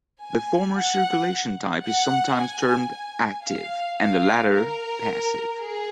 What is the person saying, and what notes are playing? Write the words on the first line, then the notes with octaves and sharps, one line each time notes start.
The former circulation type is sometimes termed "active", and the latter "passive".
G#5
F#5
F#5
G#5
G#5
F5
F5
A#4
G#4